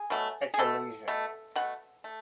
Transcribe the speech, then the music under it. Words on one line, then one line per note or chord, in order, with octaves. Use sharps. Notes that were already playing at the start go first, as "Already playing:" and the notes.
At your leisure.
Already playing: G#4
B2 F#3 A3
G#4
B2 A3 A4
B2 A3
B2 A3 F#5
A3